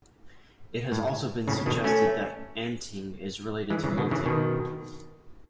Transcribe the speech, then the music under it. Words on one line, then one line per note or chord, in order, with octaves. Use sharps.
It has also been suggested that anting is related to moulting.
A2
A2 C#3
B2 D#3
A3 C#4
E3 G#3
C#3 E3
B2 D#3
C#3 E3
B2 D#3